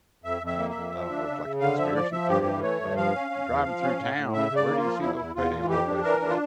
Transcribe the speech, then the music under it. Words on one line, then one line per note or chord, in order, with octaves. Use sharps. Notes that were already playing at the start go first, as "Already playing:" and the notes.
uh, I don't know, c like a conspiracy theory, but, um, you're driving through town, where do you see those payday loan places at?
F2 E5
F2 E5
A#3
F2 E5
F3
D4
C#3
C#3
D3 F5
F3 E5
F3 D5
F3 E5
G2 G4
E3
A3 C#5
G2
F3 F5
C#4
C#4
E2
F3
C#4
A2
A2
C#3 E5
C#3
D5
A#3
F4
F3
E2 E4
E2
E2 F4
E3
F2 G4
D4
E3 A#4
D4
F4